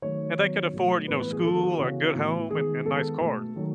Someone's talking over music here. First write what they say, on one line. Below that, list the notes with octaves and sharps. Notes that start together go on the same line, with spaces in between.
and they could afford, you know, school or a good home and and nice cars.
D#3 F#3 A3 C#5
D#3 F#3 B3
B2 F#3 A3
A2 E3 G#3 B3 B4
B4
G#4
D#3 G#3 B3 A4
F#4
C#3 E3 B3
A2 E3 B3
D#3 G#3 B3 G#4
D#3 G#3 B3 A4
B2 A3
D#3 F#3 A3